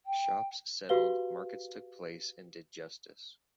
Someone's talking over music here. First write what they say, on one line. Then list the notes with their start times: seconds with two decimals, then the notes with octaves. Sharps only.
Shops settled, markets took place and did justice.
0.06 G5
0.89 F#4 G4 B4 F5 G7